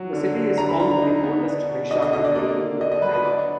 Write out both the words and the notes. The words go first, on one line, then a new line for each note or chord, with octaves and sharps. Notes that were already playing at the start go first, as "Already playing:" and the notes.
The city is home to the oldest rickshaw company in Canada.
Already playing: F#3
D3
D4
D3 A#5
B5
D3 A#5
A#5
D#4
B3
D4
B2
D3 D#5
D#5
D3 D#5
D5
A#3 D5
D3
D4 D#5
D#5
F#3 B4
B4
D4 D5